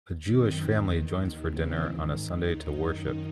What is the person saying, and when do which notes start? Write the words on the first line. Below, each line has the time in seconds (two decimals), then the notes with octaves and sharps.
A Jewish family joins for dinner on a sunday to worship.
0.21 F#2 D#3 C4
0.62 E2 D#3
1.02 D#2 D#3
1.42 D#2 C#3 E3 C4
1.82 G#2 D#3
2.22 D#2 D#3 D#4
2.61 F#2 D#3